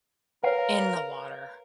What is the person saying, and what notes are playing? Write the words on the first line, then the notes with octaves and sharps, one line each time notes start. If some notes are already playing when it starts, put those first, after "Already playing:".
in the water,
A#4 B4 C#5 F5